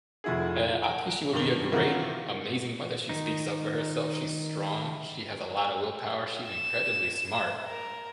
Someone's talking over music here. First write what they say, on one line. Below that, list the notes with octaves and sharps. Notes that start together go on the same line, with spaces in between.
Eh, I think she would be a great, amazing mother; she speaks up for herself, she's strong, she has a lotta willpower, she's incredibly smart.
F1 F3 E4 F#4 G#4
F#5 A#5 D7
G2 B2 D#3 F7 G7
C3 D#3 E3 F4 F#4 A#4
D#3 D#4
E7
A#4